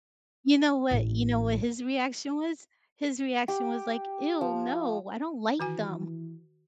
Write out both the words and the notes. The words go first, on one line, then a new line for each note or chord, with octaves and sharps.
you know what you know what his reaction was? His reaction was like, "Ew, no, I don't like them."
A1
G4
F3
D#3 E3 F#4 G#5